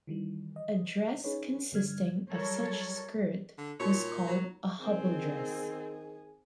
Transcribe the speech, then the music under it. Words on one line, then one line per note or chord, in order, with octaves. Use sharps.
A dress consisting of such skirt was called a hobble dress.
D#3 E3 G3
D#5
C#4 D#4 G#4 B4 C#5
G2 D3 G3 F6 G#6
F#3 G3 A4 A#4 C#5
D3
A#2 D#4 F#4 A#4 C#5
F#3 F4
D#3 C4 G#4